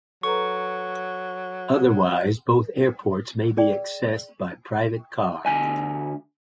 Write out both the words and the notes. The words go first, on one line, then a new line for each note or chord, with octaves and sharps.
Otherwise both airports may be accessed by private car.
F#3 A4 B4 A#5 C#6
G#4 D5 G5
D2 D4 G#5